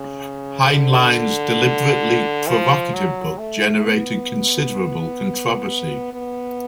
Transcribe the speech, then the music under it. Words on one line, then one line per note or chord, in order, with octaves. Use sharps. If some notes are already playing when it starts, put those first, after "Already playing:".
Heinlein's deliberately provocative book generated considerable controversy.
Already playing: C#3
D3
F3
F#3
A3
B3
B3